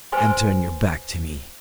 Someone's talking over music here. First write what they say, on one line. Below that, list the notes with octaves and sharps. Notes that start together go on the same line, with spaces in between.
"And turn your back to me."
B4 C5 G#5 C6